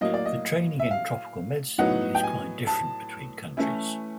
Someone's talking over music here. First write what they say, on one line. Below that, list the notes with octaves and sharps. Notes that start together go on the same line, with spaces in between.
The training in Tropical Medicine is quite different between countries.
A2 F#3 A#3 D#5
D5
D#5
E5
F5
A2 F#3 B3 D#4 F#5
G5
G#5
A5
E3 A3 C#4 E4